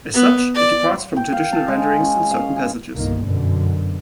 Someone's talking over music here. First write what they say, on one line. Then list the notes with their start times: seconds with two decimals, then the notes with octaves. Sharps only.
As such, it departs from traditional renderings in certain passages.
0.13 B3
0.55 D5
1.17 G5
1.32 F5
1.52 A5
1.68 G#3
2.00 C#4
2.31 F5
2.56 G#4
2.95 G1 C2 D#3 A#3
3.26 F#2 B2 D3